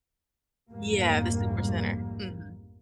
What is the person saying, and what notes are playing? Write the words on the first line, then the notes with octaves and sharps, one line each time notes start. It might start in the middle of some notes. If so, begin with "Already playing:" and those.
Yeah, the Supercenter, mhm.
F1 A#1 F2 G#2 G3 A#3